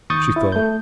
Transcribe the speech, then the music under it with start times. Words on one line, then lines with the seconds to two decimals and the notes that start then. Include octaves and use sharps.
She thought.
0.10 D#2 C#6 D#6 G6 A6
0.36 E4
0.52 A3 G6